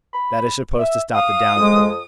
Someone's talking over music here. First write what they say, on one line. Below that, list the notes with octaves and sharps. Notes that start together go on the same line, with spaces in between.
That is supposed to stop the downpour.
B5
E5
F5 D#6
F2 G#3